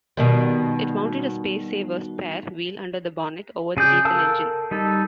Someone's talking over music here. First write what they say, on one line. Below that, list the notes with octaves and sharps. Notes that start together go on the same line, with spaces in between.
It mounted a spacesaver spare wheel under the bonnet, over the diesel engine.
B2 D#3 G3
C#3 G#4 D5 G6
A4 A#4 F5 A5 E6
G3 D#4 A4